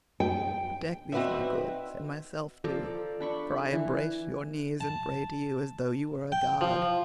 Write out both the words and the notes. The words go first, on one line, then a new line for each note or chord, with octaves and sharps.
Protect these my goods, and myself too, for I embrace your knees and pray to you as though you were a god.
G5
C4 D#4 F#4 B4 D5 E5
F3 A4 D5 A#5
D4 B5 C#6
E3
A5
G5
F3